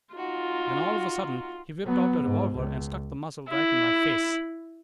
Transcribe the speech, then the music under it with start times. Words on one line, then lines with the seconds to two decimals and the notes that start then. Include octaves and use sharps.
Then, all of a sudden, he whipped out a revolver and stuck the muzzle right in my face.
0.14 D#4 F4 F#4
1.85 F#3 B3
2.23 G#2
2.55 C#2
3.49 E4